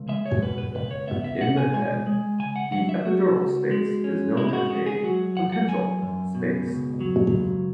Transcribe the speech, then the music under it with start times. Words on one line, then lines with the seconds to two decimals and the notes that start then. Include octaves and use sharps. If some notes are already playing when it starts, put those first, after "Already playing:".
In the head, the epidural space is known as a potential space.
Already playing: C#2
0.09 G#3 E5
0.26 C#5
0.42 B2 B4
0.58 B4
0.74 C#2 B4
0.91 C#5
1.07 B3 E5
1.24 E5
1.41 B2 F#5
1.57 G#5
1.73 G#3 G#5
2.07 G#3
2.39 C#3 G#5
2.56 F#5
2.72 F#3 F#5
2.89 E5
3.05 F#3 F#4
3.38 C#2
3.71 G#3
4.04 C#4
4.37 G#3 E4
4.48 E4
4.53 F#4
4.70 G#3 F#4
4.87 G#4
5.04 F#3 F#4
5.36 F#2 F#5
5.52 F#5
5.68 F#3 G#5
6.02 F#2
6.35 B2
6.67 C#2
7.01 F#3
7.34 C#2